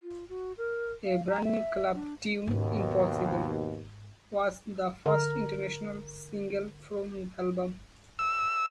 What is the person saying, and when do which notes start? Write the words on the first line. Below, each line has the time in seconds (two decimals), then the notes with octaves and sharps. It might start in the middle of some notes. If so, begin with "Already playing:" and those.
A brand new club tune "Impossible" was the first international single from the album.
0.03 F4
0.29 F#4
0.58 A#4
1.06 F5
1.29 A#5
1.44 E5
1.95 D4
2.47 D#2 G#2 B2 C#4
5.06 D3 A#4
8.19 E6